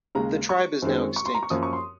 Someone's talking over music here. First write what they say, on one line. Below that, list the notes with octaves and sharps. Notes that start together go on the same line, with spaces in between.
The tribe is now extinct.
D#2 C#3 G#3 A#5
C#6
F#2 D#3 G#3 C4
C#6
C6
A#5
C#6
F#2 F3 A#3 D#6
C#6
C6